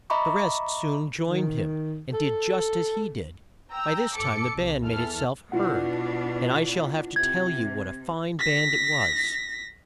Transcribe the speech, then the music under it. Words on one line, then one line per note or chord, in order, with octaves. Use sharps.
The rest soon joined him, and did just as he did. By this time the band made it-self heard, and I shall have to tell you what a fine band it was.
D#5 E5 A#5 B5 C#6 D6
D#3
A4
G5 A#5 E6
G2 A4 D6 C#7
C2
E2 E3 A4 F6
B2 D4 E4 F4 F#5
C3 G#6
A#6 B6